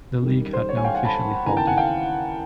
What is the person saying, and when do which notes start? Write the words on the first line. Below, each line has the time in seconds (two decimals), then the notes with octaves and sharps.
The league had now officially folded.
0.22 F#2 D#3 G3
0.53 C5
0.69 C#5
0.77 G#5
0.84 F5 G5
0.95 F#5 G#5
1.05 A5 B5
1.46 D#2 C#3 E3 G#5 A#5
1.57 G5 A5
1.67 F#5 G#5
1.77 F5 G5